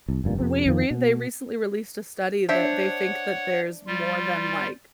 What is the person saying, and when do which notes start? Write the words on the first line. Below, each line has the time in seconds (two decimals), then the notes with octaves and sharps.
we re they recently released a study that they think that there's more than like
0.08 C2
0.24 F1 G2 A#2
0.38 F2 C3
0.66 F2 D#3 F3
0.91 B2
2.49 D4 C5 C#5 E5 F#5
3.86 G3 F4